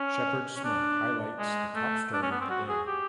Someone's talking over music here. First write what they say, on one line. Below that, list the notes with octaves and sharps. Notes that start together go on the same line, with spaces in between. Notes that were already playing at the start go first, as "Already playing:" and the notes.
Shepard Smith highlights the top story of the day.
Already playing: C#4
C#4
D4
G#3
A3
D4
C#4
B3
C4
F#4
G#4
G4